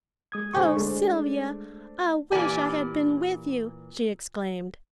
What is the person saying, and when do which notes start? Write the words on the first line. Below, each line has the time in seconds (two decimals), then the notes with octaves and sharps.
"Oh, Sylvia, I wish I had been with you," she exclaimed.
0.32 G#3 D#6 G#6
0.53 A2 D3 G#3 C5 G#5 C#6
0.77 G#3 A3 D4 C5
2.32 A#2 E3 G4 D5 G#5